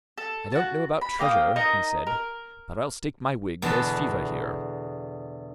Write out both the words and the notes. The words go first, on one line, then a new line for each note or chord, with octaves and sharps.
"I don't know about treasure," he said, "but I'll stake my wig there's fever here."
A4
F#4 A5
B5
A#3 F5 G5 D#6
D#4 A#4 D#5 A#5
A#4
E2 B2 D3 B4 A5 C6